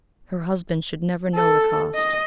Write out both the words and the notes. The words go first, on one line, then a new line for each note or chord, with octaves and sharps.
Her husband should never know the cost.
A4
D#5